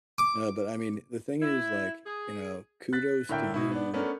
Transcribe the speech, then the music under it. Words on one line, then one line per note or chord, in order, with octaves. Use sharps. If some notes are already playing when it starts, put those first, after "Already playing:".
No, but, I mean, the thing is, like, you know, kudos to you,
D6
E4
G#4
F#6 A6 B6
A2 D3 A#4 E5 G5 G6
B2 E4
B3 D4
A3 B3 C#4 D4 A#4